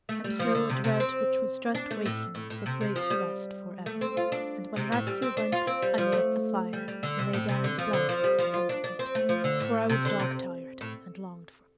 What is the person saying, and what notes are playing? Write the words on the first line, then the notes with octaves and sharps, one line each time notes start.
And so a dread which was just waking was laid to rest for ever; and when Ratsey went I made up the fire, and lay down in the blankets in front of it, for I was dog-tired and longed for sleep.
A3
G3
F3
D3
C3
C3
C4
D4
A3
A2
A2
A2
C3
C3
F3
G3
A3
C4
F4
D4
C3
A2
G3
C4
D4
F4
C4
G3
F3
A3
G3
G3
D3
C3
A2
C3
D3
F3
D3
F3
G3
F3
F4
D4
D4
C4
A3
F3
D3
A2
C3
D3
C3
A2